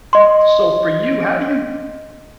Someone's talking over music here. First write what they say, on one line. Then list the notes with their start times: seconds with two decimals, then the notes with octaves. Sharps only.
So, for you, how do you
0.13 D#5 C6